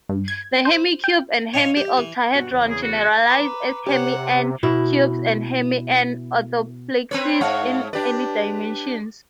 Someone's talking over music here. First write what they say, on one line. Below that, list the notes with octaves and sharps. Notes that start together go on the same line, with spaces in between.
The hemi-cube and hemi-octahedron generalize as hemi-"n"-cubes and hemi-"n"-orthoplexes in any dimensions.
G2
G#6
C5
G5
C#5 D#5 F5 G#5 C6
G4
E3
G2 B2 F#4
E2 C#3
G#4
F#4
B4 A#5 D6
C3 G4 C5 C#5 F#5
B2 E4
C4 B4 C#5
G#2 C#5 F5 F#5 C#6
D4 G4 B4 D5